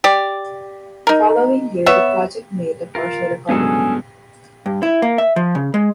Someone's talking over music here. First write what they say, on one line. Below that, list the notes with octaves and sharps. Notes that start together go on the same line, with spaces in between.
The following year the project made a partial recovery.
G4 D5
D#4 A#4
B3 C#5 E5
F4 A#4
G2 F#3 G#3 B3 C#4 G#4 A4
G2
E4
A#3
E5
F3
C#3
G#3